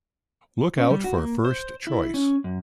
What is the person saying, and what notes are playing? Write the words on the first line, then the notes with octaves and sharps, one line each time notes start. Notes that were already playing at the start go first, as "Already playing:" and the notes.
Look Out for First Choice!
C#4
G3
F#4
A#3
C5
E4
C#4
F#2